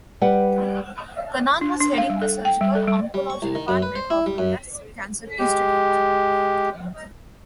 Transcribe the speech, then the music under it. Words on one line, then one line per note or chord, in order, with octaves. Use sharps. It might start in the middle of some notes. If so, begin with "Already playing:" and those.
Kannan was heading the surgical oncology department of Adyar Cancer Institute.
G3 G4 B4 F#5
D4
D4
F5
G3
A4
G5
G3
A4
G3
G3
C#6
C2
D#3
F#2
B4
C5
E4
G3
F#2
G#3 G4